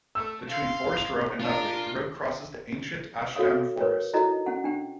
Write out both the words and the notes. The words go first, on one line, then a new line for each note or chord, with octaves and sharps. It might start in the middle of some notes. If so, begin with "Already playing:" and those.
Between Forest Row and Nutley the road crosses the ancient Ashdown Forest.
A3 E6
F5 C6
F7
D4 F4 A#4
F#4 A4 C#5 F5 D#6
A#4 B4 C#5
D#4 E4 F#4 A4 D#5 A#5
C#4 F#5
D4 G5